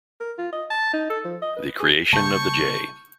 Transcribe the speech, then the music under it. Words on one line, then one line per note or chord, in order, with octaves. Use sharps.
The creation of the J.
A#4
F4
D#5
A5
D#4
A4
F3
D#5
B4
G#4
C#3 G3 A#3 A5 C#6 G6